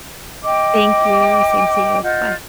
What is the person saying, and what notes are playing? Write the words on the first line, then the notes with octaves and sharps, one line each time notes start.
Thank you, same to you, bye.
D#5 G5 D6
F4 D#5 F#5 G6